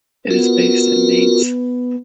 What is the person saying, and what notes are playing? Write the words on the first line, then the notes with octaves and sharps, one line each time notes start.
It is based in Mainz.
B3 F4 F#4 A#4